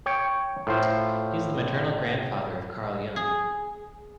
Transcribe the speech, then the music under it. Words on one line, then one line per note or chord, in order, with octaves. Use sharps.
He is the maternal grandfather of Carl Jung.
C#5 G5
A2 F4 C5
G#4